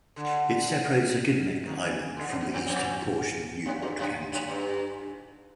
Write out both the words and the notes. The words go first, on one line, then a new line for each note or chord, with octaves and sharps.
It separates Aquidneck Island from the eastern portion of Newport County.
D3
D#3
E3
D3
G#2
G#2
F2
F2
F#2
G2
F#2
F#2
G2